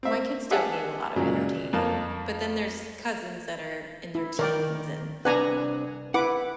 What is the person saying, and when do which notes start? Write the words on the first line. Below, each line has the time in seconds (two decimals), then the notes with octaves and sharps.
My kids don't need a lot of entertaining, but then there's cousins that are in their teens, and
0.03 C4 E5
0.50 G4 G#4 E5 F#5 G#5 A5
1.16 A#2 C#3 F#3 G#3
1.73 F2 A#3 A5
4.15 E4
4.39 D#3 A#4 D5 G5
5.25 C2 D4 B4 F#5 G#5 A#5
6.14 E4 B4 F#5 D6